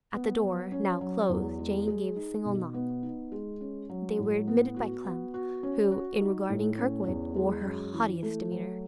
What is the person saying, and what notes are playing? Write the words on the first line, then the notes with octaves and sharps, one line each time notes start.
At the door, now closed, Jane gave a single knock; they were admitted by Clem, who, in regarding Kirkwood, wore her haughtiest demeanour.
B3
F#3
C#4
F#3
E2
G#3
G#4
D#4
B2
B3
D#4
G#3
C#4
F#3
A2
B3
F#4
B3
F#4
C#4
F#4
D#4
A2
C#4
E2
G#3
F#2
E3
A3
F#3